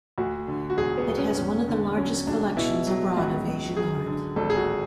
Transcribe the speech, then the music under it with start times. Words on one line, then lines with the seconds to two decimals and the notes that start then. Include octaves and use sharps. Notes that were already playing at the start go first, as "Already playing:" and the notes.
It has one of the largest collections abroad of Asian art.
0.18 D2 F#4
0.48 D3
0.70 F#4
0.77 E1 G#4
0.98 B3
1.07 E1
1.18 C#4
1.37 E2 C#4
1.68 D3
1.97 F#3 C#4
2.27 E1 D4
2.57 B2 E4
2.87 F#3
3.17 C#2 F#4
3.47 C#2
3.77 F#2 G#4
4.06 D3
4.36 G#1 A4
4.50 G#4
4.57 F#4